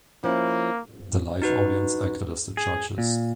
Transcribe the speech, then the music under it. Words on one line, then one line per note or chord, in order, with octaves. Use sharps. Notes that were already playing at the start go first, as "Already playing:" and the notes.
The live audience acted as the judges.
F3 A#3 C#4 E4
D#4 F#4 B4
G#4
A#2